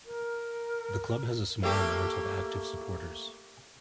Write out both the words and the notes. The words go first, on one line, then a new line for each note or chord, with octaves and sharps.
The club has a small amount of active supporters.
A#4
A3 A#3 G4